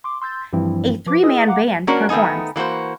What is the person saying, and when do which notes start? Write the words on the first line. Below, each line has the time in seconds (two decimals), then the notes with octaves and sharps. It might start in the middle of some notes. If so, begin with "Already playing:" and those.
A threeman band performs.
0.04 C6 D6
0.22 C6 E6 G6 A6
0.53 G2 E3 F3 G3 C4 E4
1.06 F3 B4 D6
1.23 E4 G#4 B4 D#5 D#6 E6
1.47 F5 F#5 A#5 D6
1.87 A#3 C#4 D4 F#4 A#4
2.09 D#3 A3 B3 D#4 G#5
2.56 E3 A#3 F#4 C5